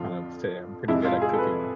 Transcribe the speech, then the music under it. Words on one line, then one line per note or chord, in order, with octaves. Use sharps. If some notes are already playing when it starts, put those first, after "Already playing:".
kind of say I'm pretty good at cooking,
Already playing: F2 D3 F3 F4
F2 C3 G#3 E4
F4
F4
G#4
A4
B4